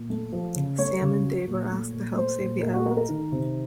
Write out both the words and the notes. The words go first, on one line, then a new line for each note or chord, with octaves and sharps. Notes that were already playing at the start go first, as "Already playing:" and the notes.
Sam and Dave are asked to help save the island.
Already playing: A#2
A3
F3
C#3
A3 C#5
C#3
F#3
A#2
A3
A#2
A3 C5
A#2
A#2 A#4
F#4
A3 A#4
A#4
D#3
C3